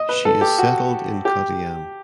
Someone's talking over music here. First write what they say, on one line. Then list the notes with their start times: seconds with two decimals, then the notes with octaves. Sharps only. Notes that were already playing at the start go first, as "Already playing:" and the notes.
She is settled in Kottayam.
Already playing: D#5
0.09 B4
0.25 A4
0.41 G4
0.58 F#4
1.25 G4